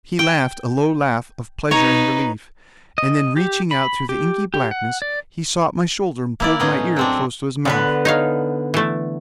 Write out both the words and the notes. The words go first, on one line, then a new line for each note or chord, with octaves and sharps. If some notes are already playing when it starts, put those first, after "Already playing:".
He laughed a low laugh of pleasure and relief, and then reaching out through the inky blackness he sought my shoulder and pulled my ear close to his mouth.
G5
D#4 B4 C#5 A#5
D#5
G4
B5
G4
G4
F#5
D5
A#3 E4 D5
A2 B3 C#4 D#4 G#4
F#3 C4 D4
D3 B3 B4
D#4 C#5 F5
E3 A3